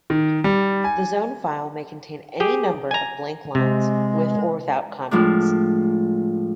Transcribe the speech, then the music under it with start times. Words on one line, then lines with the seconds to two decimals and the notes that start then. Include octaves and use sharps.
The zone file may contain any number of blank lines with or without comments.
0.10 D#3
0.44 G3
0.84 G#5
2.40 G4 G#4 G5
2.91 G#5 A#5
3.55 C3 G#3
5.11 A2 F3 G#3 D4